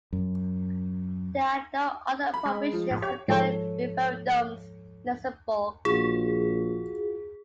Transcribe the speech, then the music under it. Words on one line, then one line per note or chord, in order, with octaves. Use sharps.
There are no other provisions regarding referendums in Luxembourg.
F#2
B5
G#3
F3
G#2
G4 C#5
G#2 F3 A4 C#5
A#1 F4 F#4 G#4